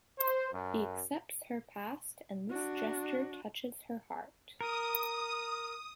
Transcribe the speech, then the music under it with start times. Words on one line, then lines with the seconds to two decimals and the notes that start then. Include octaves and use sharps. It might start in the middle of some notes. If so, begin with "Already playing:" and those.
He accepts her past and this gesture touches her heart.
0.19 C5
0.51 F#2
2.50 D4 F#4
4.61 A#4 D#6